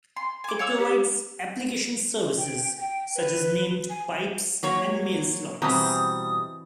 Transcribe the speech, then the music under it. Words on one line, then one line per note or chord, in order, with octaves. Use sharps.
It provides application services such as named pipes and MailSlots.
C6
G#5 D6
C#5 F5 E6
G4
G5
G5
B4
G#5
F#3 A#3 C#5
B2 E3 G3 C4 A#5 D#6